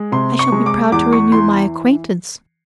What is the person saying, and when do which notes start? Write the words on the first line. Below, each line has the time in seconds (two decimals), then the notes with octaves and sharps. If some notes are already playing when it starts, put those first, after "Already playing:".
"I shall be proud to renew my acquaintance."
Already playing: G#3
0.12 C3 C6
0.39 C#6
0.52 G#3
0.66 D6
0.92 E2 D6
1.13 C#6
1.32 E3 C6